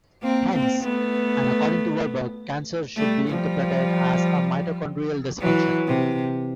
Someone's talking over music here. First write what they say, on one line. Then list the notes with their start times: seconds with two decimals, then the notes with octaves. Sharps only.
Hence, and according to Warburg, cancer should be interpreted as a mitochondrial dysfunction.
0.22 A#3 C4
0.53 A#3 C4
0.83 A3 B3
2.97 G3 A3
3.28 F3 G3
5.41 E3 F#3
5.87 C3